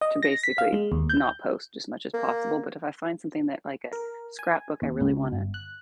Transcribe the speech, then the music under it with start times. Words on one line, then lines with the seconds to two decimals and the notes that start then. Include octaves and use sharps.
to basically not post as much as possible, but if I find something that, like, a scrapbook I really wanna
0.01 D#5
0.23 A#6
0.43 B6
0.58 F5
0.73 G#3
0.92 D#2
1.09 G6
2.14 A#3
3.93 A#4
4.39 G#5
4.82 D#2
5.01 C#2
5.32 G1
5.54 F#6